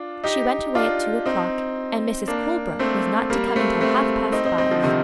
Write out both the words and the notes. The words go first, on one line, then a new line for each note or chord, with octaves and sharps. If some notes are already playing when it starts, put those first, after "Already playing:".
She went away at two o'clock, and Mrs. Colebrook was not to come until half-past five.
Already playing: D4 F4
D#4 G4
D4 F4
C4 D#4
A#3 D4
A3 C4
G3 A#3
A#3
A3 C4
A3 C4
C4 D#4
C4 D#4
C4 D#4
D3 F3
C3 D#3